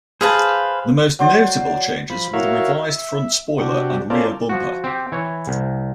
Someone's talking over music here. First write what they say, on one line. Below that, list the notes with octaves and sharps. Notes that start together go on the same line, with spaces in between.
The most notable changes were the revised front spoiler and rear bumper.
G#4 B4 C5 F5 A5
F#3 C5 D5
F3 B5
F#4 A#4 C#5 E5 F5
E5
C3 D4 F#4 G4
C#4 F4 A4 A#4 C5 D5
F3 F#4
C4 G4
E3 C#5
C2